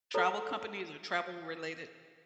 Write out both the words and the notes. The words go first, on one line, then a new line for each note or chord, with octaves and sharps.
travel companies or travel-related?
A4 C#5 A#5